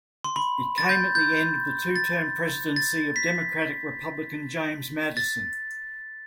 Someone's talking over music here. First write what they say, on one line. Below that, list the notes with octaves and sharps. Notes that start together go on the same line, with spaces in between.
It came at the end of the two-term presidency of Democratic-Republican James Madison.
C6
B5
A6
G6
G6
A6
A6
B6
A6